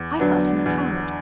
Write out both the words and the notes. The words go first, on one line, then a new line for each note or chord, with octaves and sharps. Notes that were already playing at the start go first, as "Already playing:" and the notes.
I thought him a coward.
Already playing: E2
D3 F#3 B3 D4
E2